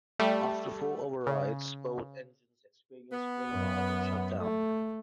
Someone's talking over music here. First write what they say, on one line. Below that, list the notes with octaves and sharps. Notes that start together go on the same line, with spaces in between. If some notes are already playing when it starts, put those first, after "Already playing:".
After four overrides, both engines experienced flameout and shut down.
G3 A3
C#3
B3
F#2
A3